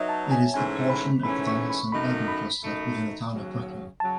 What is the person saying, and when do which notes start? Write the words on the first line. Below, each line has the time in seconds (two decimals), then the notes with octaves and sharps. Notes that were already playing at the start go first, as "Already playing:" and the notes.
It is the portion of the Danielson urban cluster within the town of Brooklyn.
Already playing: F#3 B3 D#4 C#5 E5
0.09 A5
0.31 G#5
0.54 G#2 E3 A3 C#4 G#5
0.90 B5
1.23 G#2 E3 A3 C#4 B5
1.47 C#6
1.70 B5
1.92 F#2 D#3 A3 D#4 B5
2.28 B5
2.62 F#2 D#3 A3 D#4
3.31 D#2 C#3 F#3
4.00 C#3 F#3 A5